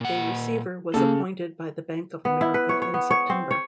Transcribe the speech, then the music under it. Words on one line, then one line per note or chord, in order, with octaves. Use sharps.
A receiver was appointed by the Bank of America in September.
A#2 F#5
C#3 A#3 A4
B3
E4
B4
C#5
C#5
B3
C#5
C4
C#5